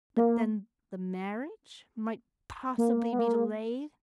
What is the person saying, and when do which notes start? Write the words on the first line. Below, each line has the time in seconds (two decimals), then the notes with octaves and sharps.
But then the marriage might possibly be delayed.
0.17 A#3
2.78 A#3
3.13 B3
3.19 A#3